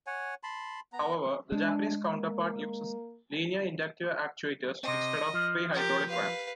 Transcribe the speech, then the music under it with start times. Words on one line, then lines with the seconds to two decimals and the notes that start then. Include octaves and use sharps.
However, the Japanese counterpart uses linear-inductive actuators instead of three hydraulic rams.
0.07 C#5 F#5 G#5
0.43 A5 B5 C6
0.93 B3 A#5
1.52 G#3 D4
2.11 A#3
4.83 C3 C4 D#5
5.34 F3
5.73 G4 A#4
6.07 B4 F5